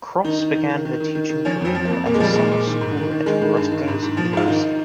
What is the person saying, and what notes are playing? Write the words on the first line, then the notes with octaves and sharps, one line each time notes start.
Cross began her teaching career at the summer school at Rutgers University.
D#3 D#4
D#3
D#3
D#3
D#3
D#3
D#3
D#3
F3 C#4
F2 C4
F3
A#3
F2
A#2 A#3
G#3
F3 G3
A#2 G#3
A#2
D#3
G#2
D#3
D#3
D#3 G#3
D#3
G2
D#3
G#2
G#2
F3
G#2 F4
D#3 D#4